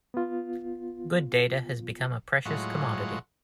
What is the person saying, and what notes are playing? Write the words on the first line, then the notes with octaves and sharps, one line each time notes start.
Good data has become a precious commodity.
B3 F4
A2 F#3 G#3 F4 F#5